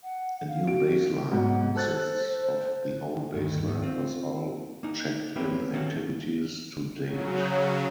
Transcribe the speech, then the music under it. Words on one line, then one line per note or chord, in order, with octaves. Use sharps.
A new "baseline" consists of the old baseline plus all checked-in activities to date.
F#5
F5
F#4 D7
G#2 B2 F#3 F#5
A4 C5 F#6 A6
D2 G2 D#3
G#2 D#3
C4 F4
A#3 D#4
A#3 C4 C#4 G4 B4 E5
D#3 A#3 C#4 F#4 G4 A4
C#3 F#3